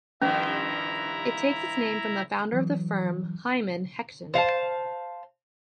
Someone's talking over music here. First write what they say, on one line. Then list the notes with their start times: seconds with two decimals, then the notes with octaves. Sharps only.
It takes its name from the founder of the firm, Hyman Hetchin.
0.22 G2 D#3 F3 C#4 E4 A#5
2.53 E3 F#3
4.34 C5 F5 F#5 A5